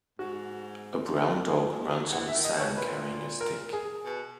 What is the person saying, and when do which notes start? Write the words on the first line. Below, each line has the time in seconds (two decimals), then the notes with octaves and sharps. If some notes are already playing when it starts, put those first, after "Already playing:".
A brown dog runs on the sand carrying a stick.
0.19 G#2 F#4
1.48 F#3 G#4
1.69 G#3
1.91 F#3
2.08 D#3
2.12 E3 F#5
2.28 E5
2.34 D#3
2.44 D#5
2.55 B2 C#5
2.76 A#2 B4
3.41 A#4
3.73 G#4
4.05 B2